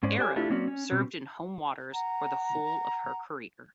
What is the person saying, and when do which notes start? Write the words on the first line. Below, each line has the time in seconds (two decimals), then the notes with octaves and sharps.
"Arab" served in home waters for the whole of her career.
0.03 G#2 C#4 C5 D5
0.18 G4 C5 D5 G5 G#5
0.36 A3 D4 E4 F4 G4
0.50 F#3 A#3 C4 C#4 D5
0.68 C#4
0.91 B2 C4 C#4
1.93 F#5 A#5